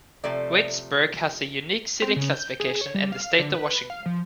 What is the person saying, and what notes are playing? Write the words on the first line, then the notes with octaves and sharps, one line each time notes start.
Waitsburg has a unique city classification in the State of Washington.
C3 F3 A3 D5
C4
C#3
G6
G#4
C#5
G3
F5
D3
B4
F5
F3